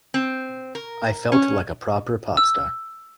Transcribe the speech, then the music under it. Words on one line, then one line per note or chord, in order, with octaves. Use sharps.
I felt like a proper pop star.
C4
A#4
C#4
E6